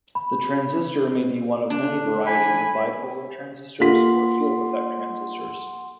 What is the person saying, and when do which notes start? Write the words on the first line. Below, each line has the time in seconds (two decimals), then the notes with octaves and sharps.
The transistor may be one of many varieties of bipolar transistors or field-effect transistors.
0.15 B5
1.70 D4
2.27 G#5 B5
3.80 A#3 F4 F#5 C6 B6